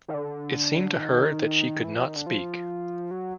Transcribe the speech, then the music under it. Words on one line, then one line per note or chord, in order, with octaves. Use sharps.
It seemed to her that she could not speak.
D#3
D3
D#3
E3
F3
D#3
D3
F3
F#3